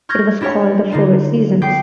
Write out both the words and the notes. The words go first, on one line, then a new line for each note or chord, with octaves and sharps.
It was called the Four Seasons.
C#6 F6 G6 G#6 A#6
D4 E4 G4 A#4 C#5
D3 D#4 F4
B3 G5 D6 G6 C7